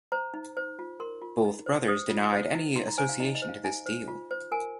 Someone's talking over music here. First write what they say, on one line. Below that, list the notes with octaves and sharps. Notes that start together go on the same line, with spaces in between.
Both brothers denied any association to this deal.
C5 A#5
D#4
C5
F4
A#4 C6
F4
D#4
C5
C5 D#6
F4
C5
D#4
D#4 C6
A#5
C5 G#5
F5
D#4 D#5
D#5
C5
F5
D#4 G#5
C5
F4
C5
A#4 G#5